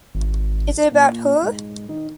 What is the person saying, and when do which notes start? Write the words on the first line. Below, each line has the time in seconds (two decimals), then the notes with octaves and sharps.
Is it about her?
0.15 G#1
0.92 A#2
1.42 G#2
1.89 D#3